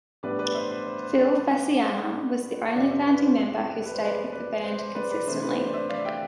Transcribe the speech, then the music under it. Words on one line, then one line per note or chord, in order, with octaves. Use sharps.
Phil Fasciana was the only founding member who stayed with the band consistently.
A2 G3 B3 D4 B4 D5
B4 D5
C5 E5
C5
C5
C5
B4 D5
C5
F2 C3 F3 D5 F5
C5 E5
B4 D5
C5
C5 E5
B4
C5
B4 D5
B4 D5
C5
C5
B4 D5
B4 D5
C3 E3 A3 D4 C5
B4
C5
D5
C5 E5
D5 F5
E5 G5